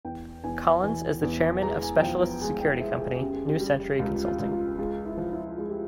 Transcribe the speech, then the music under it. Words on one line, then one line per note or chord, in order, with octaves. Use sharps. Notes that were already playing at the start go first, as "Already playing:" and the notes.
Collins is the Chairman of specialist security company, New Century Consulting.
E2 G5
E2 G#5
E3 G#5
E2
G#3 A#5
G#5
F3 G5
G#3 G#5
G5
G#3 E5
G#4
C#3 G4
G#4
G4
G3
C#2 F4
F4
C#2
F4
G#3 F4
E4
F3
E4
G#3 F4
G4